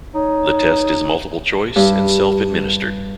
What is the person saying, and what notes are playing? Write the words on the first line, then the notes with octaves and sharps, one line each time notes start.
The test is multiple choice and self-administered.
D#4 C#5
G2